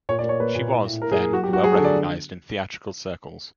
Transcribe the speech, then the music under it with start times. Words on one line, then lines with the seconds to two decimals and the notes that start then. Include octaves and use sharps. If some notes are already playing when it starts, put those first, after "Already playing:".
She was, then, well recognised in theatrical circles.
0.09 A#2 C#5
0.19 D5
0.24 A#3
0.29 C#5
0.40 A#3 B4
0.55 A#2
0.71 A2
0.86 A2
1.02 A2 A#4
1.12 G#4
1.17 A#3
1.32 F#3 F#4
1.44 G4
1.48 F#3 F#4
1.64 F#3 G#4
1.74 A4
1.79 D3
1.85 D5